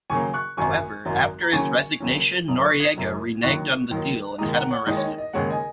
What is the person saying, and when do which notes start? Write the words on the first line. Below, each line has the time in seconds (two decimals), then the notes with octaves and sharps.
However, after his resignation, Noriega reneged on the deal and had him arrested.
0.10 D#2 C#3 F#3 A#3 G#5 C#6
0.34 C#6 F#6
0.57 G#1 F#2 F#3 G#5 C#6
1.05 G#1 F#2 F#3
1.42 A#5
1.52 D#2 C#3 F#3 C#4 G#5 C#6
2.00 D#2 C#3 F#3 C#4
2.48 F#1 F#2 F#3 A#5 D#6
2.64 C#6 F#6
2.80 D#6 G#6
2.96 F#1 F#2 F#3
3.43 D#2 D#3 F#3 D#4 C#6 F#6
3.91 D#2 D#3 F#3 D#4
4.38 D#2 D#3 G#3 D#4 A#5 D#6
4.54 F#5 A#5
4.71 C#5 F#5
4.86 D#2 D#3 G#3 D#4 D#5
4.97 C#5
5.03 D#5
5.18 D#5
5.33 D#2 C#3 G#3 C#5 F#5
5.50 D#5 G#5